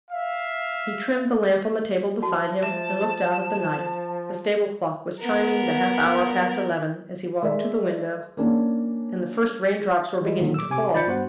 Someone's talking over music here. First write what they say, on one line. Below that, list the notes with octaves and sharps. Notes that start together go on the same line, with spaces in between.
He trimmed the lamp on the table beside him and looked out at the night. The stable clock was chiming the half-hour past eleven as he walked to the window, and the first rain-drops were beginning to fall.
E5 F5
F3 F#4 A5
F3 E5 A5
B3 A#4
G#3 A3 A#4 D5 E5
A#3 C#4 D4
E3 G3 G#3
A#2 D3 D#3 F3
D6 E6
C3 G#5 D6
F3 D5 B5 G6 A6 C#7
G2 B3 F#4 C5 F#5